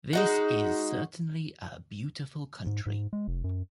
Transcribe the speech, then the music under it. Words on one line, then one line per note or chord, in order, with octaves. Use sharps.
This is certainly a beautiful country!
G#3 D#4 F#4
G#2
G#2
G#3
F1
F#2